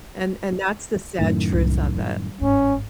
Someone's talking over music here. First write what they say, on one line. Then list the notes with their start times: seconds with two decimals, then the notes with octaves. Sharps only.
and and that's the sad truth of it.
1.19 F#2 A2 D#3
1.52 C2
1.97 G3
2.41 G1 G#2 C#4